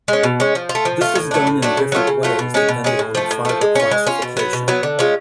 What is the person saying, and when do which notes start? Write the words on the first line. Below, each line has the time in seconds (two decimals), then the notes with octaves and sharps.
This is done in different ways depending on the fiber classification.
0.08 G#3 C#4
0.23 B2
0.40 G#3 C#4
0.55 F3
0.69 F4
0.75 A3
0.85 F3
1.01 A3 F4
1.15 A2
1.31 F#3 A3 D4
1.47 A2
1.62 F#3 A3 D4
1.77 C#3
1.92 F#3 A3 F4
2.07 C#3
2.23 F#3 A3 F4
2.39 B2
2.54 G#3 C#4 G#4
2.69 B2
2.84 G#3 C#4 G#4
2.99 A2
3.15 F3 A3
3.31 A2
3.45 F3 A3
3.61 G#3
3.75 C#4 F4
3.91 G#3
4.07 C#4 F4
4.22 B2
4.37 F#3 B3
4.53 B2
4.68 F#3 B3
4.83 D3
4.99 G#3 C#4 F4